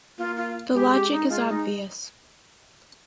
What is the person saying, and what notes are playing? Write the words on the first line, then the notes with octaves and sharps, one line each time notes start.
The logic is obvious.
A#3 F4
F4
G#3 G4
G4
D#4
G#3 F4
D#4